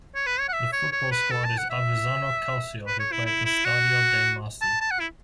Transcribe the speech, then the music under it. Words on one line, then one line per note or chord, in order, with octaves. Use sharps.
The football squad is Avezzano Calcio who play at the Stadio dei Marsi.
C#5
B4
C#5
F#5
E5
C#5
C#5
B4
A4
A5
F#5
E5
B4
C#5
E4
E4
E4
F#4
A5
A5
F#5
E4